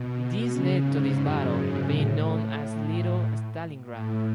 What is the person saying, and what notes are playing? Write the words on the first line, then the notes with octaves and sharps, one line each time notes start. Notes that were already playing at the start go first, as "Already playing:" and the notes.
This led to this battle being known as Little Stalingrad.
Already playing: B2
B2
C#3
G#2
F#2
G#2
A2
A2